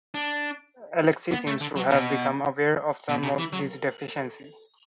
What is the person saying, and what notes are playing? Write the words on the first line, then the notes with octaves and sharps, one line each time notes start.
Alexei seems to have become aware of some these deficiencies.
D4
B3
A3
D3
F#3
B2
B2
C3
E3
F#3